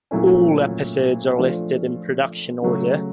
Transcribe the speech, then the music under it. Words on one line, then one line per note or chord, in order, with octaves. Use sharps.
All episodes are listed in production order.
A#2 F#3 A3 C#4 E4
F3 A3 D4 F4
C#3 F#3 A3